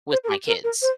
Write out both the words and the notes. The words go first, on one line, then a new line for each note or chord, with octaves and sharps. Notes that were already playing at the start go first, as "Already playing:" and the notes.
with my kids."
C5
A#4
G4
A#4
A#4
C5